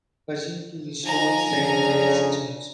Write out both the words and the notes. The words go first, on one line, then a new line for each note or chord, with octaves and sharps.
Pugin to restore Saint Mary's church.
F3 D#4 G#5 A#5
F2 C#3 D4